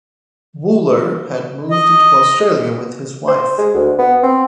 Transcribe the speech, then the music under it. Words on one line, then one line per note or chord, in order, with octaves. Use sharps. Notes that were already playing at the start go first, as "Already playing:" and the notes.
Wooller had moved to Australia with his wife.
D#5
C5
G#3
D2
B3
C4